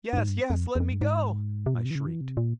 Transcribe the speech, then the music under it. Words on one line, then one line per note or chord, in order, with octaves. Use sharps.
'Yes, yes! let me go,' I shrieked.
G2
G#2
G2
F2
E2
F2
G2
G#2
C3
A#2
C3
E3
C#3
E3
C3
A#2